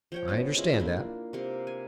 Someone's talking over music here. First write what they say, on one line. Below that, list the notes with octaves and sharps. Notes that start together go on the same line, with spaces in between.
"I understand that."
F3 C#5 G5
B3 C#4
G#3 E4 F4
A#3 D4
C3 A#3
G#5